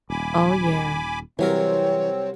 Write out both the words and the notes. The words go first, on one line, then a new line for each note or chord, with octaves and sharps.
Oh, yeah.
D#1 G#5 B5 D6
C2 E3 F#3 C4 A#4 C#5